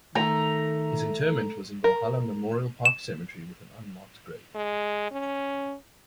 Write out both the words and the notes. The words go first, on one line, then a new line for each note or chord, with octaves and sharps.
His interment was in Valhalla Memorial Park Cemetery with an unmarked grave.
D#3 A3 A#5
A#4
E7
G#3
C#4